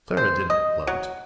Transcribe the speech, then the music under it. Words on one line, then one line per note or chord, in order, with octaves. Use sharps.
Clara didn't gloat.
C5
D#5
F#3